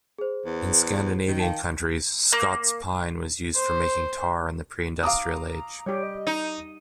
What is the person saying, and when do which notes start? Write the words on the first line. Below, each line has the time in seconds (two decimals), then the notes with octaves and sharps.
In Scandinavian countries, Scots pine was used for making tar in the preindustrial age.
0.18 G#4 C5
0.46 E2
1.28 D#3
1.39 F5 G5 A5
2.33 A#3
3.56 C5
5.03 F5 A#5 D6 D#6
5.86 G3 G4 C#5
6.03 D#5
6.27 D#4